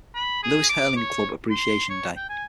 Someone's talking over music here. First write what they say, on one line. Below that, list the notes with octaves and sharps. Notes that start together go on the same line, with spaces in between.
Louis Hurling Club Appreciation Day.
B5
G#4
D6
C#5
C6
C#5
G5
G#5